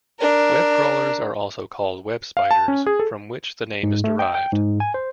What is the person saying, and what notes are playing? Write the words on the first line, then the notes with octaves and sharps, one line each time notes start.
Web crawlers are also called web spiders, from which the name is derived.
D4 A#4
F5
A5
C#4
G#4
A4
G#2
A3
G5
G5
G#2
G#5
C5